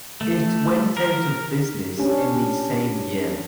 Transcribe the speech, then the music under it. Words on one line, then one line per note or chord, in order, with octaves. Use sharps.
It went out of business in the same year.
A3
A#4
C#4 D4 G4